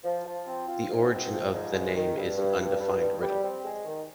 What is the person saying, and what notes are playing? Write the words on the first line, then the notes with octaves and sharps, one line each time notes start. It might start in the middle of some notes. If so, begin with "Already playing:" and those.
The origin of the name is an undefined riddle.
F3
F3
C4
F4
G#2
C4
F3
G#2
G2
D#3
G2
G2
G2
G2
G2
G3
C4
G#3
D#3